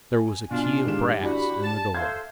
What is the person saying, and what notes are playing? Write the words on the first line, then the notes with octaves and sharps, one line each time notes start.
There was a key of brass in the door.
G#5
B2 D4 F4
G#2 D#3 G4 E7
D4 E4 F#4 B5
A5
A4 C5 E5 F5 G#6